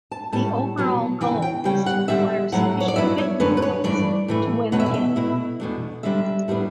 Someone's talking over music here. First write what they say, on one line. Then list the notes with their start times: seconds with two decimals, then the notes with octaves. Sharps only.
The overall goal is to acquire sufficient victory points to win the game.
0.11 A5
0.32 A2 G3 C#4 A5
0.77 E2 B2 F#3 B3 D4
1.21 E2 C#3 E3 G5
1.42 G5
1.64 C#3 G3 C#4 G5
1.86 F#5
2.08 D3 G3 D4 E5
2.52 A2 F#3 A3 F#5
2.80 C#5
2.88 D5
2.96 G2 F#3 B3 E4 E5
3.18 C#5
3.40 F#2 D3 A3 C#4 B4
3.57 B4
3.62 C#5
3.84 G2 E3 A3 D4 D5
4.28 A2 E3 A3
4.72 E2 B2 A3 C#4 F#5
4.80 E5
4.86 D5
4.94 E5
5.16 B2 A3 E4
5.60 E2 B2 A3 D4
6.03 D3 G3 D4 E5
6.48 A2 G3 B3 D4